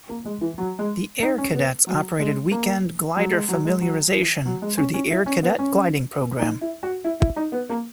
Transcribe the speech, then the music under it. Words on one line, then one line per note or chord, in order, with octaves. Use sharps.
The Air Cadets operated weekend glider familiarization through the Air Cadet Gliding Program.
A#3
G#3
E3
F#3
G#3
D#4
C#4
B3
F#3
G#3
A#3
F#3
G#3
F#3
G#3
F#3
E3
F#3
G#3
C#4
C#4
E4
C#4
B3
C#4
D#4
E4
F#4
E4
E4
D#4
B3
A#3